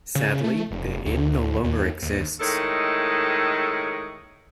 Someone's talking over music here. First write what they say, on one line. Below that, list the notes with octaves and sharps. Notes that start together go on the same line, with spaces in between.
Sadly, the Inn no longer exists.
C#3
A3
F1
D2
D#2
D#2
A2 D#3 G#3 A4 C#5 D#5